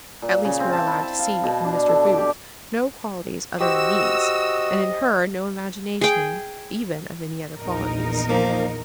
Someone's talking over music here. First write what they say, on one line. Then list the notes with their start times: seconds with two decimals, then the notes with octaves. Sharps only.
At least we are allowed to see in Mr. Booth no qualities other than these, and in her no imagination even of any other qualities.
0.22 A#2
0.45 C#3
0.60 C4
0.73 A5
0.86 E4
1.03 A5
1.19 F5
1.44 B2
1.65 D4
1.88 A4
2.04 D5
2.17 G4
3.60 F#4 G4 C5 D#5 E6
6.01 G#4 G5
7.58 A#1 E2 D#4 A#4
8.29 F3 A#3